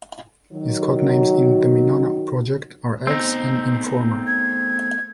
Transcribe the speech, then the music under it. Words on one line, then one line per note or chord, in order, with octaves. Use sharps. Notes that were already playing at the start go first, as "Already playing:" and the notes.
His code names in the Venona project are "X" and "Informer".
D#3 F#3
A3 B3 C4 D#4 D#5
G#6